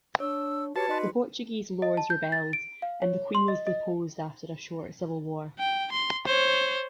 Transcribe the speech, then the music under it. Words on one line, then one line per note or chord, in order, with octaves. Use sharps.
The Portuguese lords rebelled, and the Queen was deposed after a short civil war.
D4 C#5 E6
F#4 G4 B4 C#5 A5 C#7
D#4 B4 D5 D#5 C6
D#5
A5
G6
A6
D7
F5
C#5
C6
D#5
D#5
G5
C6
C5 C#5